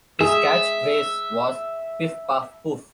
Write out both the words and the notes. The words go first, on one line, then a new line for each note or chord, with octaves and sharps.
His catchphrase was "Piff Paff Poof!".
G#4 E5